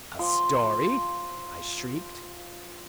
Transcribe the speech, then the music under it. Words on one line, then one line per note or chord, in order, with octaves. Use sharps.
"A story!" I shrieked.
F3 C6